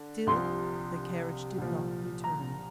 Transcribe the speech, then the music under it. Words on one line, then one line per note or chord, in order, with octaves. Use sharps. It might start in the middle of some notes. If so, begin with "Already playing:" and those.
Still, the carriage did not return.
Already playing: D3
C2 C3 F3 C6
C2 A#2 F3
A#5